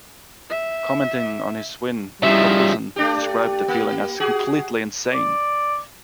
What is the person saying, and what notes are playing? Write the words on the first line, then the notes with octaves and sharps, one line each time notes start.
Commenting on his win, Thorkildsen described the feeling as "completely insane".
E5
C#3 F3 G3 D#4 E4 E5
A3 D4 G4
A#3
F#4 G#4
D5